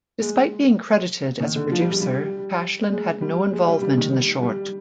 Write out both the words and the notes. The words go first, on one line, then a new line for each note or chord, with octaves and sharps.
Despite being credited as a producer, Tashlin had no involvement in the short.
G#3
D#3
D3
F3
G3
G3
G3
G#3
G3
G#3
G3
G3
D#3
G3
G3